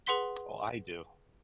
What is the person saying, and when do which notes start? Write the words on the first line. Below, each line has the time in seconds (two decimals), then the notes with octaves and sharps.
Oh, I do.
0.06 G#4 B4 F#5 C6 B6 G7